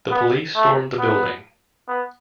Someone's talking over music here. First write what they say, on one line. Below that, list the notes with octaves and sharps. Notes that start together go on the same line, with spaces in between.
The police storm the building.
B3
A3
B3
B3